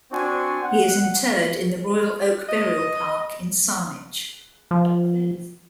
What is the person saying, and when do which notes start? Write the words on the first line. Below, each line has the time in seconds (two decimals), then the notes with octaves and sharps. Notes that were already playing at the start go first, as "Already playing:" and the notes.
He is interred in the Royal Oak Burial Park in Saanich.
0.12 C4 D4 F#4 C5 G#5 C#6
0.63 F#5
2.49 D#5
4.71 F3